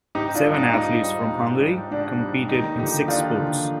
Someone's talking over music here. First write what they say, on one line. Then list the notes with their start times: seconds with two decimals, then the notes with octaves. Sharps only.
Seven athletes from Hungary competed in six sports.
0.15 G#2 D#4 G4
0.35 D4 F4
0.45 G3
0.54 D#4
0.73 G#2 D#4
1.03 G3
1.33 G#2
1.61 G3
1.91 G#2 D4
2.20 G3
2.49 D#2 D#4
2.78 D3 F3 D#4 G4
3.08 D#2 D4 F4
3.37 D3 F3